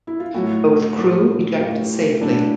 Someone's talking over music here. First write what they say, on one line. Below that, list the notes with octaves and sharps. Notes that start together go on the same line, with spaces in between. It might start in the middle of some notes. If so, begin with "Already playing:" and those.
Both crew ejected safely.
E4
F4
A2 F#3 A3 E4 F#4
A2 F#3 A3
A2 F#3 A3 F4 G4
A2 F#3 A3 D4 E4